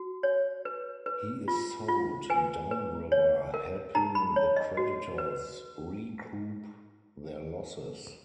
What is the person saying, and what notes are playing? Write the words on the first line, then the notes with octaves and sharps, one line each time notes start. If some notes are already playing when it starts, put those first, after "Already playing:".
He is sold "downriver", helping the creditors recoup their losses.
Already playing: F#4
C#5
B4
B4
F4
F4
B4 G#5
B4
C#5
A#4
D#4 A#5
B5
C#5
D#5
F#4
B4